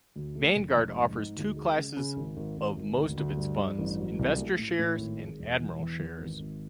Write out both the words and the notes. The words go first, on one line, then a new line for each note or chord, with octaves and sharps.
Vanguard offers two classes of most of its funds: "investor shares" and "admiral shares".
D2
A3
F1
F1
G#2
D#4
D2
G#3
C#3
C#3
G#1
G#1
G#1
G#1
D2
D2
G2
G2
A1
F#3
C2
A3
A2
A2
G#1
G#3
E1
E3
E2
E2
G#1
G#1